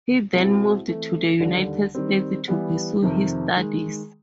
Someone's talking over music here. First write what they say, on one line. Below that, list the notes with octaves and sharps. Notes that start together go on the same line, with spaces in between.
He then moved to the United States to pursue his studies.
C2 B2 G#3 C4 E4
E3 A3 C4
D#2 D3 G3
D#3 G3 C4
E3 G3 B3
F2 C3 D#3
D#3 G#3